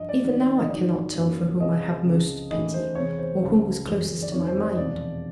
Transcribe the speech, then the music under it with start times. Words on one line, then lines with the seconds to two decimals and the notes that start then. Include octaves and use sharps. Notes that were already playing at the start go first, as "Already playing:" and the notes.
Even now I cannot tell for whom I have most pity, or who was closest to my mind.
Already playing: G2 F3 D#5
0.09 D5
0.23 D#2 D#3 G3 B3
0.58 D#5
0.69 G#2 D#3 F#3 D5
1.15 F#2 D#3 F#3 A#3
1.60 C2 C3 F3 G#3 C#4 D#5
2.05 C#2 C#3 F3 G#3 C4
2.50 D#2 C#3 E3 A3 D#5
2.74 C5
2.95 E2 C3 E3 G#3 C#5
3.19 C5
3.42 C#2 C#3 F3
3.86 G1 F#2 C#3 E3 G#3
4.22 D5
4.31 F1 F2 C3 D#3 C#5
4.47 C5
4.62 D5
4.72 D#5
4.77 E1 E2 C3 F3 D5